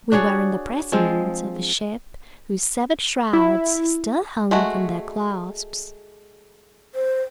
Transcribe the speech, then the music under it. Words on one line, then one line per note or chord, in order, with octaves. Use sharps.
We were in the presence of a ship whose severed shrouds still hung from their clasps.
D4 F#4 G#4 C#5
F3 G#3 C4 F4
E4
G#3 A3 F#4
C5